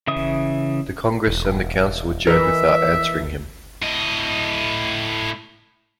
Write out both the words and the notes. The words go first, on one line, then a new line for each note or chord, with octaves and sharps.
The congress and the Council adjourned without answering him.
C#3 E3 E5 D#6
E1
E3 A#4 B4 D#5 E5
A2 D#5